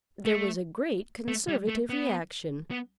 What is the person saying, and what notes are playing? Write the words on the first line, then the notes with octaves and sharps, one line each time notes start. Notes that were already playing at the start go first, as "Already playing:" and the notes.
There was a great Conservative reaction.
A3
A3
G3
A3
B3
B3